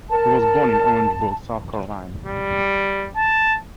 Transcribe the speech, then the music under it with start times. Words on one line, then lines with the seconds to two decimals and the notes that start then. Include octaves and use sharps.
He was born in Orangeburg, South Carolina.
0.10 A#4 A5
2.26 G3
3.16 A5